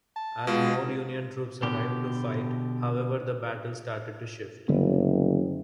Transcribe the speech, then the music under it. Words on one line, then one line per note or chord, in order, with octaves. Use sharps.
As more Union troops arrived to fight however the battle started to shift.
A5
B2 G#3 F4
B2 D3 G4
F#1 D3 G3 B3